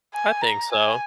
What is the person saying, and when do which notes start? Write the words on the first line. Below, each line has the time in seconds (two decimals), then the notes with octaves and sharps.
I think so.
0.14 G#5
0.42 A#5
0.72 G#5